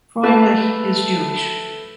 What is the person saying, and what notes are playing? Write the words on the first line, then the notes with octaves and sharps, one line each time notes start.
Freundlich is Jewish.
A3 B4